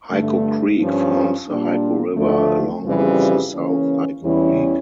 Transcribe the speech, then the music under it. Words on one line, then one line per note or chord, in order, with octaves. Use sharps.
Hyco Creek forms the Hyco River along with South Hyco Creek.
G2 D3 A3
G2 F3 C#4
A#2 G3 A#3 D4
D2 D3 F3 A3
F2 C#3 E3 G3
C#3 E3 A#3 C#4
E2 E3 G3 C#4 E4